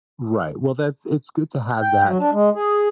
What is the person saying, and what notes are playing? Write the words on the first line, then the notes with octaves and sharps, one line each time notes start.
Right, well, that's it's good to have that
G5
F#3
D4
G#3
G#4